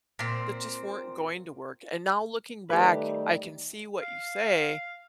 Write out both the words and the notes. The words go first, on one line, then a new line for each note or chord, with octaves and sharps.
that just weren't going to work, and now looking back, I can see what you say,
A#2 C4
D#3 G3 A3 G4 B4
F5